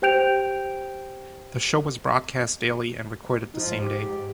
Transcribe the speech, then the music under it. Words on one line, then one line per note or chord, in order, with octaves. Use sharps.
The show was broadcast daily, and recorded the same day.
G4 C5 G5 G6 D7 F7
F3 D#4
G#2
G4